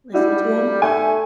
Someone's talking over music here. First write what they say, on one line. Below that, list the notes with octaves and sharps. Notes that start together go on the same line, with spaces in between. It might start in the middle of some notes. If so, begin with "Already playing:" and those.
listen to 'em,
G3 D4 E4 F#4
A3 G#5